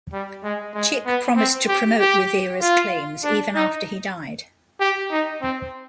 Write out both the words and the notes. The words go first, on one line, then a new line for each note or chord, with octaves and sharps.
Chick promised to promote Rivera's claims even after he died.
G3
G#3
G#3
B3
C4
G4
G4
F4
D4
D#4
G4
D#4
C4